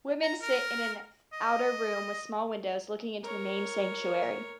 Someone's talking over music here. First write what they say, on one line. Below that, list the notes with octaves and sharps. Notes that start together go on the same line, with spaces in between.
Women sit in an outer room with small windows looking into the main sanctuary.
A#5
A#4
D#5
A#4 C#5